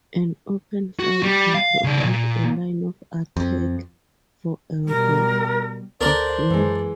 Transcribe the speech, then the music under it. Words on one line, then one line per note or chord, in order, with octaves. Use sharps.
An open file can provide a line of attack for a rook or queen.
F#4
G3
F5
C#3 D5
D2 A#2
F2
B2 G3 A#4
D2 D4 A4 A#4 C5
F#2 E3 G#3